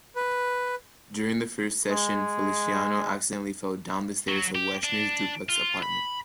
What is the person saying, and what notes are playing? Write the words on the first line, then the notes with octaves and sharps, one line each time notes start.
During the first session, Feliciano accidentally fell down the stairs of Weshner's duplex apartment.
B4
G#3
F#3
G4
D4
F4
B5